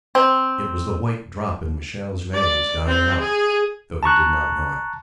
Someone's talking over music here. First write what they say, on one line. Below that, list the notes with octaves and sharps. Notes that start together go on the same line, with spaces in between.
It was the White drop in Michele's veins dying out, though he did not know it.
C4
D5
C4
G#4
A5 A#5 C#6 F#6